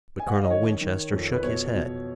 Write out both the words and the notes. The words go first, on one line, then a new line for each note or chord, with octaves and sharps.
But Colonel Winchester shook his head.
G#5
F#5
F5
D#5
D#3 C#5
D#3
F2
B4
B2 C#5
B2